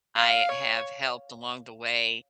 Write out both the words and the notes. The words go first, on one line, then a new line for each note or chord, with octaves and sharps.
I have helped along the way,
F5
C#5